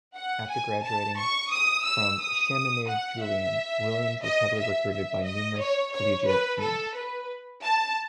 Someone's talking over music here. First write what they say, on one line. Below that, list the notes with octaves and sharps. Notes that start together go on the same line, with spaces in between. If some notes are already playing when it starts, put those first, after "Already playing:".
After graduating from Chaminade-Julienne, Williams was heavily recruited by numerous collegiate teams.
F#5
G#5
A5
C#6
D#6
E6
D#6
F#5
E5
D#5
E5
E5
D#5
C#5
C#5
B4
A4
B4
A5